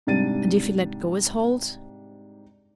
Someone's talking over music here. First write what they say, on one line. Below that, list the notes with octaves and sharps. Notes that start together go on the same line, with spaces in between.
And if he let go his hold?
G#2 C3 G3 D4 A6 D#7